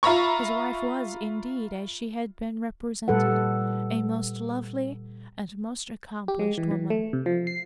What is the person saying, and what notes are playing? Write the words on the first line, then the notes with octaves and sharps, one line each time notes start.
His wife was, indeed, as she had been represented, a most lovely, and most accomplished woman.
F4 E5 A#5 B5 C#6
A#2 G3 A4 B4 F#5
G4
G#3
E3
E3
A3
C3
F3
C7